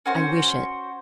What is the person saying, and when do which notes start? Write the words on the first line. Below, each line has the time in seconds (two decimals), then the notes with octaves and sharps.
"I wish it."
0.06 C#4 F#4 C5